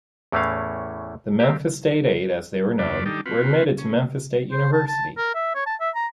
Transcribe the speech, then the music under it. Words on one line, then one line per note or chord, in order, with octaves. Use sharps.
The Memphis State Eight, as they were known, were admitted to Memphis State University.
E2 A2 E3 A3 C#4 F5
C4 G4
F#2 C#3 D4 F4 B4 D5
D#3 G3 D4 D#4 G4 A4
C4 F4 F#4 B4
C#4
C5
A5
A5
A#4
E5
C#5
A5
E5
A#5